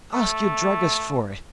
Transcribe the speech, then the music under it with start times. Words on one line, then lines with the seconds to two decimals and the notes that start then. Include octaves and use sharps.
Ask your druggist for it.
0.14 A3